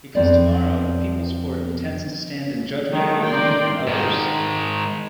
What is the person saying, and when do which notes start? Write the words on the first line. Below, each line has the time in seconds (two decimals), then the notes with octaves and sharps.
Because tomorrow the People's Court intends to stand in judgment on me and others.
0.15 F2 C4 D5
2.92 D#3 F#3 G#3 A3
3.24 A#4 D5 G5 C6
3.87 G#2 D#3